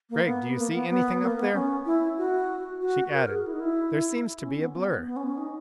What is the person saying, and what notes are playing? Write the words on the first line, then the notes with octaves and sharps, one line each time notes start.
"Gregg, do you see anything up there?" She added, "There seems to be a blur."
A#3
B3
A#3
B3
B3
A#3
B3
C#4
E4
F#4
F#4
A#4
G#4
E4
D#4
E4
C#4
B3
B3
B3
C#4
C#4
D#4